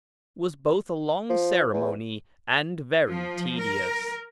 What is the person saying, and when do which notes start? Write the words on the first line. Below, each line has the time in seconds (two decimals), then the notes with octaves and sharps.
It was both a long ceremony and very tedious.
1.30 F3
1.73 E2
3.08 F3
3.59 A#4